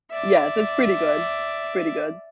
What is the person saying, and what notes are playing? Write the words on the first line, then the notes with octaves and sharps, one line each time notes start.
Yes, so, it's pretty good. It's pretty good.
D5 E5